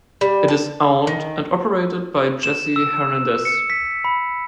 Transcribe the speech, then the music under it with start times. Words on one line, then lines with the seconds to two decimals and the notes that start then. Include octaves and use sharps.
It is owned and operated by Jesse Hernandez.
0.21 G3
0.48 A5
1.07 D#3
2.43 E7
2.76 E6
3.45 C#7
3.70 B6
4.05 B5